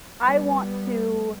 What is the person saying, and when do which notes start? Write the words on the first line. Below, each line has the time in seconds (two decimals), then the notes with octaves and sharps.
I want to
0.22 G3 B3